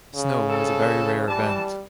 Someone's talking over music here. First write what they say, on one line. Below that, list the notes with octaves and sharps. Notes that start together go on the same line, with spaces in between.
Snow is a very rare event.
C#3
C4 A4
E3 G3 A5